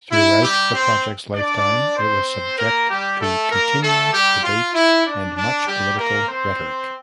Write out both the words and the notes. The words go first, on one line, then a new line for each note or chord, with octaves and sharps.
Throughout the project's lifetime it was subject to continual debate and much political rhetoric.
E4
G3 G4
C4 C5
D4 D5
C4 C5
A#3 A#4
G3 G4
A3 A4
A#3 A#4
A3 A4
G3 G4
F4
E4
D4
D4
G3 G4
A#3 A#4
C4 C5